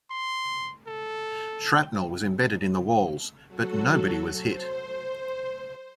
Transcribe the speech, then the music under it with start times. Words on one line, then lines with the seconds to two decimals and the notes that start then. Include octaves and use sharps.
Shrapnel was embedded in the walls, but nobody was hit.
0.11 C6
0.87 A4
3.47 F#3 F#4 A4
4.39 C5